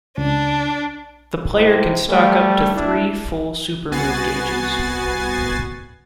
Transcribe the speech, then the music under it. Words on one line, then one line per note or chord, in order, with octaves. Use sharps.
The player can stock up to three full Super Move gauges.
C#2 D4
G#2 C3 E4
G3 A3
A3 D4 E4
C2 B3 F#4 G#5 A6 C7